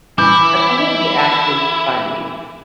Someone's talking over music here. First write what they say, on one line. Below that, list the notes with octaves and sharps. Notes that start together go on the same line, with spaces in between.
That's a little bit actually funny.
E3 E4 D6 G6